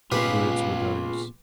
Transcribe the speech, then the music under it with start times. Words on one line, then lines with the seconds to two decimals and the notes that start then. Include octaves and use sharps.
What words were those?
0.12 C#2 A#2 B3 F4 G4 G#4 B4 F5